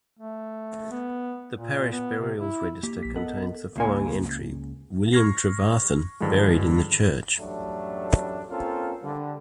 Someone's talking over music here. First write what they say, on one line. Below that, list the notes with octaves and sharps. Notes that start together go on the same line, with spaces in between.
The parish burials register contains the following entry 'William Trevarthen buried in the church.
A3
B3
A#2
B3
C3
E4
A#3 G4
A#1 B6
B3 A4 A#4 D#5 F#5
C#2 A#3 G#5
C#6 F6 G#6 A#6 C7
G2 D3 D#3 F3 G#3
A1 F#2 F#3 G3 A3 D4
A#3 C4 C#4 F4 A4 A#4
D3 G3